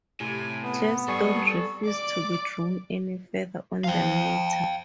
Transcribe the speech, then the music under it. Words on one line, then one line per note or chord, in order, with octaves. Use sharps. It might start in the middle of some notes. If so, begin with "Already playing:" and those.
Gladstone refused to be drawn any further on the matter.
A2 C3 G#5
B3
G3 A4 G#5 C#6
D5 D6
F3 F5 G5